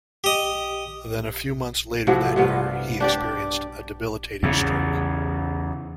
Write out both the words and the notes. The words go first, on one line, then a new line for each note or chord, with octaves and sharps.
Then, a few months later that year, he experienced a debilitating stroke.
G4 D#5
A2 C3 F3 F#3
G2 C3 B3 F4
D4 G4 D5
E2 C#3